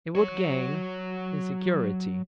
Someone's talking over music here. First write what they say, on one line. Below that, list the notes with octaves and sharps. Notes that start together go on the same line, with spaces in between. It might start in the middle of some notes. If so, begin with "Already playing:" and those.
"It would gain in security."
F#3 C#5